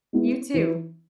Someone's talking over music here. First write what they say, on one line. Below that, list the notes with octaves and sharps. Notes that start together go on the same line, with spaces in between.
You, too.
G#3 B3 E4
E3